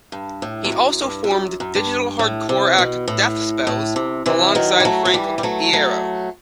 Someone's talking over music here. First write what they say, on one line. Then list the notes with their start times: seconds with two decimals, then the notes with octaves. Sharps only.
He also formed digital hardcore act, Death Spells, alongside Frank Iero.
0.12 G2
0.42 A2
0.64 E2
0.72 F#2
1.02 G2
1.24 E2
1.31 F#2
1.60 F#2
1.75 G2
2.19 A2
2.49 C3
2.78 B2
3.08 A2
3.67 A2
3.96 C3
4.26 C3 E3
4.55 D#3 F#3
4.80 G3
4.85 F#3 A3
5.05 F#3
5.14 E3 G3
5.38 G3
5.43 F#3 A3
5.73 F#3 A3